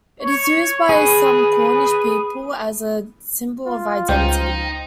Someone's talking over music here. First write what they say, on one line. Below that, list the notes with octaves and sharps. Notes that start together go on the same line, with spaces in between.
It is used by some Cornish people as a symbol of identity.
C#5
G#4 B4
F4
C#2 D#4 C5 G5